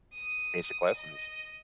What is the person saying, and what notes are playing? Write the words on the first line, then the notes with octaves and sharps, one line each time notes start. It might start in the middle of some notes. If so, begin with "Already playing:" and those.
basic lessons,
D#6
D#5